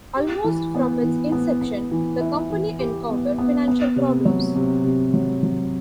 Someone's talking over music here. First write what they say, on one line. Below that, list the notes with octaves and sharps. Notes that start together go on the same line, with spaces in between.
Almost from its inception, the company encountered financial problems.
G4
E3
B3
E3
B3
B3
E3
E4
E3
G4
B3
B3
B3
C3
F#3
C3
C3
F#3
F#3